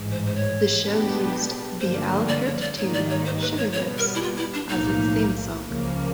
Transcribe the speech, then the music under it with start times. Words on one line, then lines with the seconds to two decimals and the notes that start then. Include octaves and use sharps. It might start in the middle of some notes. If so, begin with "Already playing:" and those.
The show used the Al Hirt tune "Sugar Lips" as its theme song.
Already playing: A1 G#2 E3
0.11 C5
0.26 C5
0.36 C#5
0.84 B2 G#3 B3 D4 G4
1.80 G2 D3 F3 A#3 C5
2.29 D5
2.46 C#5
2.61 D5
2.77 G#2 D#3 G3 A#3 D#4 C#5
2.94 D5
3.10 C#5
3.26 C5
3.41 B4
3.57 C#5
3.73 B2 G3 B3 C#5
3.98 A#4
4.15 E4
4.22 F4
4.37 E4
4.54 D4
4.69 B1 A2 F3 A#3 D#4
5.67 C#2 C#3 F3 A#3